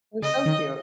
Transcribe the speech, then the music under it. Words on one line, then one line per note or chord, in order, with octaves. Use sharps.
They're so cute.
C#3 D#5
D#3